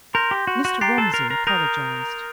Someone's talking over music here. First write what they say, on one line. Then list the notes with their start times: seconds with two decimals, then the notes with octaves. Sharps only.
Mr. Romsey apologized.
0.14 A#4 C6 G6 A#6
0.31 G4
0.47 F#4
0.65 F#4
0.81 G4 A#5 F#6 A6 C7
0.98 A4
1.14 A#4
1.30 A#4
1.47 A#4 D#6 G6 A#6 D#7